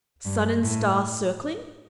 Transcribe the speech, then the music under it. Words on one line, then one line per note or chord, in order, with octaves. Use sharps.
Sun-and-star circling.
G2
A2